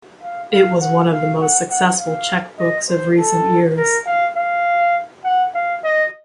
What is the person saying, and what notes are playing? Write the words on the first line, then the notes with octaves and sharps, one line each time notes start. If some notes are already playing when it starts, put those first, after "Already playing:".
It was one of the most successful Czech books of recent years.
F5
F5
F#5
F5
F#5
F#5
F5
D#5
C5
A4
A#4
F5
F5
F#5
F5
D#5